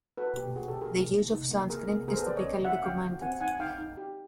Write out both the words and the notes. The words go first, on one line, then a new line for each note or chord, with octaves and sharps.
The use of sunscreen is typically recommended.
F#4 A4 B4
A#3 G4
F#4 G#4
G4 A4
F#4
G#4 A#4
A#3
D#4
D#4
A#3
B3 G#4 A#4
B3 G#4 A#4
B3 G#4 A#4
C5
A4 B4
B3 C5 D5
C#5 D#5
C#4
F#4 E5 F#5
C#4 F5 G5
F#4
C4 F#5 G#5
D#4 F#5 G#5
D#4 F5 G5
D#4
G4